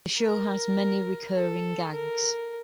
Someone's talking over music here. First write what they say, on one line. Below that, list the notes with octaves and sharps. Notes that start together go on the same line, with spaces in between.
The show has many recurring gags.
A#4
A4
A#4